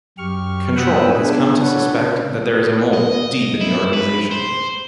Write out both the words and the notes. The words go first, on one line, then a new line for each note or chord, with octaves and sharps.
Control has come to suspect that there is a mole deep in the organization.
F#2 G4 C#6 F6
F#5 G5 B5 D#6 E6 F#6
B3 D4 G#4
D4 A4 B4 C#5 F#5
C#3 C4
D#5
E4
B4
C5